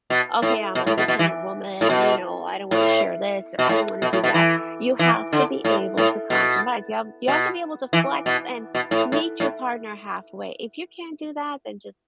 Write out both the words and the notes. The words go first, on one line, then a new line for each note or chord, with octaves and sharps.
"Okay. I'm an independent woman, and, you know, I don't wanna share this, or I don't wanna do that," you have to be able to compromise, you have you have to be able to flex, and meet your partner halfway. If you can't do that, then, just
B2
A2
B2
A2
B2
B2
E3
A2
B2
A2
B2
A2
B2
A2
B2
E3
E3
D3
A2
A2
B2
B2
E3
B2
B2
A2
A2
A2